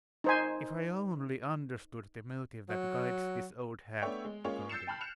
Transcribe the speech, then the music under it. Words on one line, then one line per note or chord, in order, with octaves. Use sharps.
"If I only understood the motive that guides this old hag!" he continued.
D#4 C5 G#5
F#3
A3 B3 D4 C#5 E5 G5
G#3
G#3 A#3 C#4 F4 G#4 C#5
E6 G6 A6 C7 C#7 E7
G5 A5 B5 F6 G6
F6 F#6 C#7 E7 F7